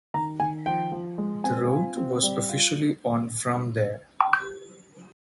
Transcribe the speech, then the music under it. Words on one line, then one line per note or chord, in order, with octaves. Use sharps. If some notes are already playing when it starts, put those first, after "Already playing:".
The rout was officially on from there.
D#3 A#5
D#3 G#5
F3 G5
F3
G#3
C4 G#5
F4
C4
G3
F4